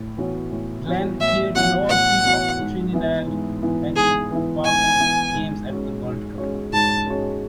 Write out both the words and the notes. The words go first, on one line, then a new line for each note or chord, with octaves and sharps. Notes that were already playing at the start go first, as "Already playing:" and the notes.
Glen appeared in all three of Trinidad and Tobago's games at the World Cup.
Already playing: A2
E3 B3 F#4 C#5
A2
E3 B3 F#4 C#5
A2 E5
E3 B3 F#4 C#5 F#5
A2 F#5
E3 B3 F#4 C#5
G#2
E3 B3 E4
G#2
E3 B3 E4
G#2 G#4
E3 B3 E4
G#2 G#5
E3 B3 E4
G#2
G#3 C#4 F#4 C#5
G#2
G#3 C#4 F#4 C#5
G#2 A5
G#3 C#4 F#4 C#5